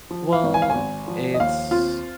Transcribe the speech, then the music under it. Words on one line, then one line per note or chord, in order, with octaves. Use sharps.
Well, it's
F3
F5
G#1
G#5
F5
G#5
G#1
F3
D#5
D#2 F5
C4 F4